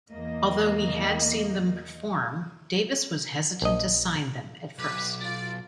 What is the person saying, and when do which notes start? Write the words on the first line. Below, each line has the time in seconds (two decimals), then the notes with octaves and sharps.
Although he had seen them perform, Davis was hesitant to sign them at first.
0.10 E2 A#3 D#5
3.62 A#1 D#5
4.79 B1 B4 D6
5.21 F4 D5